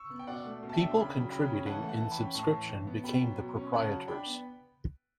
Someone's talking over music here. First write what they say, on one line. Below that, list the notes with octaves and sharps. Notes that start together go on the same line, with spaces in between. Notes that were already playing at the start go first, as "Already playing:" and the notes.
People contributing in subscription became the proprietors.
Already playing: C#6 E6
B3
G5
B2 D5 F#5
A3
B2
A5
E5 G5
D4
C#3 G5 B5
F#3
C#3 G5 B5
C#4
E3 F#5 A5
A3
F#5 A5
E3 A5
G5 B5
C#4
A2 A5 C#6
E3
A2
B3
B2 G5 B5
F#3
B2
C#4
C#3 F#5 A5
F#3
D4 G5 B5
B3